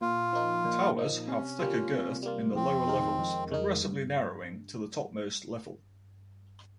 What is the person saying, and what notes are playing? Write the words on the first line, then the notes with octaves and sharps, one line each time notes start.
Towers have thicker girth in the lower levels, progressively narrowing to the topmost level.
A#2 F4
F3 A#3 D#4
A#2
F3 A#3 D#4
C3 C#4
G3 A#3 F4
C3
G3 A#3 F4
F2 C4
D#3 G#3 D#4 A#4
F2
D#3 G#3 D#4 A#4
G2